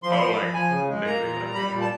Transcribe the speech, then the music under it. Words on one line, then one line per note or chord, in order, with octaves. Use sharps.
Oh, like, literally, like, right now.
F3 C6
B5
F3 C6
B5
F3
F3 G#5
C#3
G#3
A#3 A#5
A#2
G3
G3 B5
A#2
A5